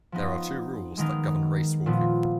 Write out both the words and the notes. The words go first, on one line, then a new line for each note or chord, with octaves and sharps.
There are two rules that govern racewalking.
F3 B3 D#4
D#3 G#3 B3 D#4 A#4
A#2 F3 B3